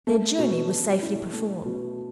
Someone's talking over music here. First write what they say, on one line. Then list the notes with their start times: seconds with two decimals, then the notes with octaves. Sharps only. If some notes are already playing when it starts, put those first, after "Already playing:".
Their journey was safely performed.
0.07 A3
0.39 B2
0.71 B2
1.02 E4
1.33 A3
1.65 B2